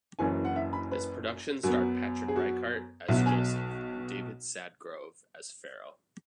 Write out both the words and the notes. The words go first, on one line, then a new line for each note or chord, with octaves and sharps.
This production starred Patrick Ryecart as Joseph and David Sadgrove as Pharaoh.
F#1 F#2 E3 C#4 G#5
F#5
E5
B5
B4
F#2 F#3 B3 F#4
G#4
F#4
B1 B2 F#3 B3 E4
F#4
G#5